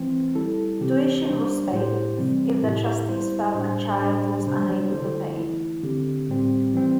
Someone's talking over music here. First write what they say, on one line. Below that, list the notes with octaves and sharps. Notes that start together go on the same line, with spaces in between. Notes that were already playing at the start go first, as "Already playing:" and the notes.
Tuition was waived if the trustees felt a child was unable to pay.
Already playing: E3 A3 C4
G3 E4 A4
C3 E3 C4 G4
G3 D4 C5
A2 A3 E4 G4 C5
C3 E3 G3 C4
A2 A3 E4 G4
G3 E4 C5
A2 G3 D4 C5
A2 G3 D4 G4 C5
C3 G3 D4 C5
D3 A3 E4 A4 C5
E3 A3 E4
D3 C4 G4
A2 G3 C4 G4
E3 G3 C4